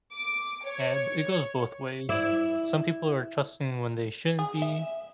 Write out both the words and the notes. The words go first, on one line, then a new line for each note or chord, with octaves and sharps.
And b it goes both ways. Some people are trusting when they shouldn't be,
D6
C#5
E4 D5
G#4
E5